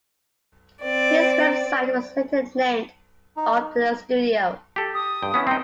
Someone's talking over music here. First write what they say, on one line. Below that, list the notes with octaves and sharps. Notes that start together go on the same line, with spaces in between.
His website was later named after the studio.
C4 D5
D#4
G4 A4
D#6
G2 G5
B3 C#4 E4
C4 D#4 G5